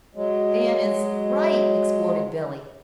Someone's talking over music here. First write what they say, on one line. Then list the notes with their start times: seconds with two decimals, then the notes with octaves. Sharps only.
"Van is--right!" exploded Billie.
0.15 F#3 G#3